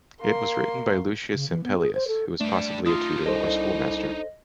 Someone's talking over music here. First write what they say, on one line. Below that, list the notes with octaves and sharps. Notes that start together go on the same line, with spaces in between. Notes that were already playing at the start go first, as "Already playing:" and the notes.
It was written by Lucius Ampelius, who was possibly a tutor or schoolmaster.
A#3 C6
C#3
E3
B3
G#4
C5
A4
G3 A3 D4
D4 D#4 F4 D#6
C2 A4 C5 D#5